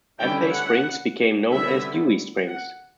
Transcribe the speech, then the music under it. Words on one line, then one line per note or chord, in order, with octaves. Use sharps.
Empey Springs became known as Dewey Springs.
D3 G3 C#4 E4 G5
F#5
D3 G3 B3 E4 E5
F#5